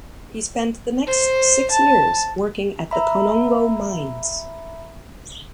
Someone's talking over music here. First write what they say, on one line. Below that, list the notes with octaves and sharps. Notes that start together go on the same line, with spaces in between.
He spent the next six years working at the Konongo mines.
C5
A5
E5 A#5 B5